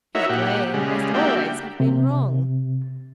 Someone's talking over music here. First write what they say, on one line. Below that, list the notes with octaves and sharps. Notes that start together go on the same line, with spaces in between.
His brain must always have been wrong!
D#4 E4 F#4 A#4 C#5 E5
A#2 G4 F#5
C#3 G3 G#3
A#3 D4 E4 F#4 G4 G5
C3